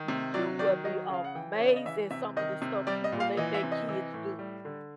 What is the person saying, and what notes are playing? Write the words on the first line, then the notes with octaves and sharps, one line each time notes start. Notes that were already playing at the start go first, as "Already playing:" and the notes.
m you will be amazed at some of the stuff people let they kids do
Already playing: D#3
C3
F#3 D5
D#3 D5
F#3 D#5
C#3 F5
F#5
E3 G5
C#3 C#5
D5
D#5
E3 E5
C3 E5
D#3 D#5
C3
G3 D5
D#5
A#2
F5
E3 D#5
E5
C3
D#5
E3
A2
G3
D3